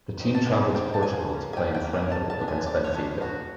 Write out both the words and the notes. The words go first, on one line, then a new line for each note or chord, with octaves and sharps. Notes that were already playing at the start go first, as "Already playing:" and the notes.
The team travelled to Portugal to play in a friendly against Benfica.
C4 D#4
A5
G#3 G#5
C4 D#4 G5
A5
F3 G#5
A#3
C#4
G#5
F3 G5
G5
A#3 C#4
G#5
F3 A5
A5
G#3 B3 D4
G#5
F3 D5
C#5
G#3 B3 D4
D#3 F#4